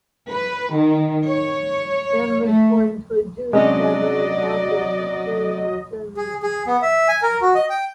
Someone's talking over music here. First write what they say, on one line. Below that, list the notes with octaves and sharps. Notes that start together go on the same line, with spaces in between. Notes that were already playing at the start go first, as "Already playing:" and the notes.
Dehn was born to a Jewish family in Hamburg, Imperial Germany.
B4
D#3
C#5
A3
C3 F#3 G#3 C#4 D4 D5 D#5
G#4
G#4
B3
E5
G#5
A#4
F#4
D#5
G5